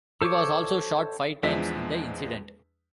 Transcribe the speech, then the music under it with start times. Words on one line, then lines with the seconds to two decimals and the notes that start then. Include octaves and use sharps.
He was also shot five times in the incident.
0.22 A4 C5 C#5 C#6 D6
1.43 E2 F3 G#3 D4 E5 B6